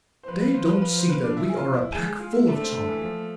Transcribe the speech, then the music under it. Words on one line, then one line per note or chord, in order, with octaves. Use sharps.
They don't see that we are a pack full of charm.
C5
F3 B4
B4
C5
B4
B4
C5
B4
D4
E4
G#4
F4
E4
G#3 G#4
G#4
F4
E4
A3 D4
C4
D3
E3
F3